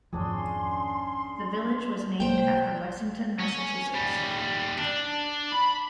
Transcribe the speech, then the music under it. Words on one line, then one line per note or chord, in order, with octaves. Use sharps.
The village was named after Lexington, Massachusetts.
G#1 F2 F3 C#4 D4 G#4 C6
B1 A#3 C5 G5
C#4
D#2 G3
D4
B5